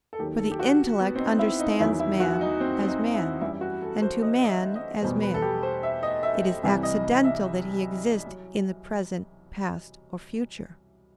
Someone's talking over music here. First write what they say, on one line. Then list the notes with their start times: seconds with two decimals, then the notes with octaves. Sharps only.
For the intellect understands man, as man: and to man, as man, it is accidental that he exist in the present, past, or future.
0.13 A4
0.19 D#2 D#3 F#3 G4
0.39 A4
0.51 G4
0.59 F#4
1.00 B3
1.15 C4
1.20 D#4
1.39 E4
1.59 D#4
1.80 E2 D#3 F#3 E4
2.00 E4
2.20 F#4
2.41 D#4
2.60 C4
2.83 C4
2.88 D#4
3.15 E4
3.41 F#2 E3 G3 E4
3.61 F#4
3.82 A4
4.02 C5
4.22 D#5
4.42 D#5
4.48 E5
4.76 D#5
5.02 E2 B2 G3 C5
5.22 B4
5.34 A4
5.42 G4
5.63 C5
5.83 E5
6.03 D#5
6.23 E5
6.63 C2 C3 E3 G3 E5
6.83 D#5
7.24 E5
8.27 F#3